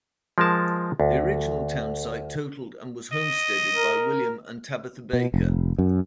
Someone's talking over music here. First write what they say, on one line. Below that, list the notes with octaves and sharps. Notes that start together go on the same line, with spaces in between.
The original townsite totaled and was homesteaded by William and Tabitha Baker.
F3 G#3 A#4 A5
D2
D#5
A#4
B2
F1
F#2